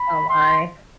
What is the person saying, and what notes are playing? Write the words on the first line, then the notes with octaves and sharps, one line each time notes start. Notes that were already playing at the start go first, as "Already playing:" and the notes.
Oh my.
Already playing: B5
C6